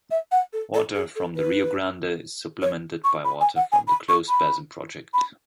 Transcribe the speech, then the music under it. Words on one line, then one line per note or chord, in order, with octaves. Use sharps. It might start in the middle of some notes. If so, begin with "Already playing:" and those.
Water from the Rio Grande is supplemented by water from the Closed Basin Project.
E5
F#5
A4
A4
G#4
A4
B4
C#5
C#6
B5
G#5
F#5
G#5
B5
C#6
B5
B5